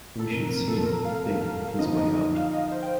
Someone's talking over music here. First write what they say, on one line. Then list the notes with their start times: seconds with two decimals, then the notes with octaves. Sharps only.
We should see him think his way out.
0.20 A4
0.31 F2 C3 F3 A#4
0.49 A#4
0.68 A4
0.86 A#4
1.05 F5
1.42 F5
1.79 D3 F3 A#3 D#4 D#5
1.98 D#5
2.16 D#5
2.35 F5
2.53 D#5
2.72 C5
2.83 G5